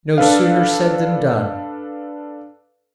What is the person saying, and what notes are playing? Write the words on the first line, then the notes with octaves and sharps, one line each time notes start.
No sooner said than done.
D4 A4 B4 F5